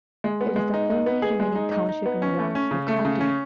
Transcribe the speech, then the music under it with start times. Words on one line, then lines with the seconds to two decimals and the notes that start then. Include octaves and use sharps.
It is the only remaining township in Ramsey County.
0.24 G#3
0.41 B3
0.56 G#3
0.74 D#4
0.90 D#4
1.06 B3
1.22 G#4
1.40 G#3
1.55 D#4
1.72 D#4
1.89 D#4
2.06 B3
2.22 C#4
2.39 A3
2.55 C#4
2.71 C#3
2.88 A3
3.05 C#3
3.20 C#4